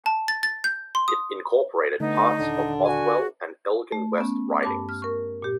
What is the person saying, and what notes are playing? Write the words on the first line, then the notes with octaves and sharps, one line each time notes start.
It incorporated parts of Bothwell and Elgin West ridings.
A5
A6
A6
G6
C6
D#6
D3 A3 B3 D#4
D#1 D3 D4
F#4 G#5
A3
B3 C#4
G2 A5 D6
F6
A#4 C#6
A#2 G4